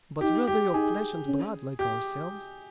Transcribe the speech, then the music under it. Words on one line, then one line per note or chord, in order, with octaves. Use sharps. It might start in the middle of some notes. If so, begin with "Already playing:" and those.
But were they of flesh and blood, like ourselves?
D#4 G4
G4
D#4 G#4
C#4
G4